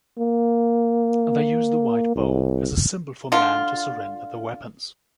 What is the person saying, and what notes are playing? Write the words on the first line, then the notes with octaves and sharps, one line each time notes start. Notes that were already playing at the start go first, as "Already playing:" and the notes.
They use the white bow as a symbol for men to surrender their weapons.
A#3
C2
D3 F4